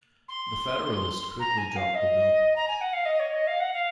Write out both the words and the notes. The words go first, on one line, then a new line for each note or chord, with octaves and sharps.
The Federalists quickly dropped the bill.
C6
A#5
G#5
F5
D#5
A#5
G#5
F#5
F5
D#5
C#5
D#5
F5
F#5
F5